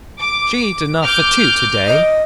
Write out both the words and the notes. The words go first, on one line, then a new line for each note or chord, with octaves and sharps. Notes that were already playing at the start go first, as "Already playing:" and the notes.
She eat enough for two to-day.
D6
D6 F6 G6
D#5